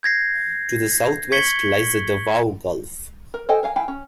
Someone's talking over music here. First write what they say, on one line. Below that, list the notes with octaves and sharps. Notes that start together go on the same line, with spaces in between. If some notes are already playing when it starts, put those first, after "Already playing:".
To the southwest lies the Davao Gulf.
G6 G#6 A#6 C7
C#6 G#6 B6 C#7 F#7 G7
A#4
A4 C5 D#5 G5 G#5
A#4 F5 G#5
E4 F5 G5 G#5
C#4